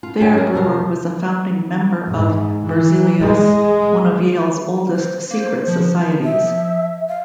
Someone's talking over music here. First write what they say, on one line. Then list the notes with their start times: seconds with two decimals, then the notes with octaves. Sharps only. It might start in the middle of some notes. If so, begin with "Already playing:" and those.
There, Brewer was a founding member of Berzelius, one of Yale's oldest "secret societies".
0.03 F4
0.21 D2 A2 D3 G5 G#5
0.33 C#4 F#4 A#4
0.54 F2 C3 A#4
2.06 G#2
2.67 E3
3.20 G#3
4.94 C5
5.31 A#3
5.68 F3
6.24 E5
7.09 F5